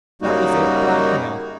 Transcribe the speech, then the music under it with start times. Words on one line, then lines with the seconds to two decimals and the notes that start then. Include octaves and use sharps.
That was it--blackmail.
0.22 F#2 C#3 G3 A#3 D#4 F#4